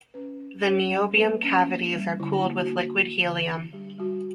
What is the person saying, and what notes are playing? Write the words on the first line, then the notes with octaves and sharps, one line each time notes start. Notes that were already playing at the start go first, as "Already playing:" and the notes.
The niobium cavities are cooled with liquid helium.
C#4 B4
C#4
C#4 C#5
G3
A#3 B4
C#4 D4
A#3
G3
D3 E4
D4
A#3
F#4
A#3
A#3
D3
D4
G3 G4
G3 F#4